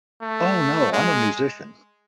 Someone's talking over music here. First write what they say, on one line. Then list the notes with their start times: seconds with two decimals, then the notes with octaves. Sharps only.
Oh, no, I'm a musician.
0.22 A3
0.93 G#3